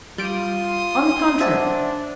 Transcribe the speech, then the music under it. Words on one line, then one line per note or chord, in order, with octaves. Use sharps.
On the contrary.
G3 F4 C6 D#6 D7
D4 C5 D5 E5 F#5 G#5 A5